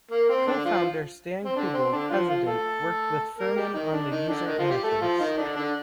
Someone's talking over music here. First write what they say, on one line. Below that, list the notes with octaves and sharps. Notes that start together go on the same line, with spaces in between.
Co-founder Stan Kugell, President, worked with Firmin on the user interface.
A#3
C4
D3 D4
F3 F4
C4
D3 D4
C4
D3 D4
F3 F4
F3 F4
A3 A4
A#3 A#4
G3 G4
D#3 D#4
D3 D4
D#3 D#4
D3 D4
D#3 D#4
F3 F4
G3 G4
A3 A4
F3 F4
D#3 D#4
D3 D4
D3 D4